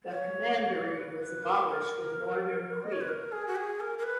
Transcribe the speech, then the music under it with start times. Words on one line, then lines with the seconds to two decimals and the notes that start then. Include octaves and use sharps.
The commandery was abolished in Northern Qi.
0.09 C#5
0.96 B4
1.20 B4
1.43 A#4
2.83 D#5
2.92 C#5
3.01 B4
3.08 A#4
3.32 G#4
3.47 F#4
3.56 G#4
3.80 A#4
3.98 A#4
4.03 B4